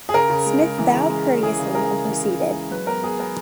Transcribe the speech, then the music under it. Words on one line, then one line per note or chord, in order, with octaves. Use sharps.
Smith bowed courteously and proceeded.
G#4
C#3 A#4
C#3
G#3
G#3
E3
C#3
G#3
C#4
E3 G#4
C#3
G#3 A#4
C#3
E3
C#3
E3
G#3
F#3 B4
B3 A#4
B3 G#4
B3 A#4